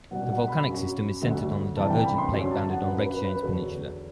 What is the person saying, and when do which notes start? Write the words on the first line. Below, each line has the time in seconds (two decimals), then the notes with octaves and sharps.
The volcanic system is centered on the divergent plate boundary on Reykjanes peninsula.
0.11 C2 B2 F#3 F#5
0.29 F#5
0.48 B5
0.66 F#2 F#3
1.21 D2 D3 F#3
1.76 C2 C3 E3 A5
1.90 G5
2.05 B5
2.18 C6
2.32 F#2 D3 F#3
2.51 A5
2.69 F#5
2.87 F#2 F#3 B4
3.06 B4
3.24 B4
3.43 E2 D3 F#3 A4